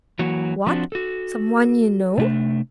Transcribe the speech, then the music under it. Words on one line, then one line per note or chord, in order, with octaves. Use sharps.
"What! someone you know?"
E3 F#3 A#3 F#4
F3 C4 D4 F#4
F#4 A4
C3 A3 D4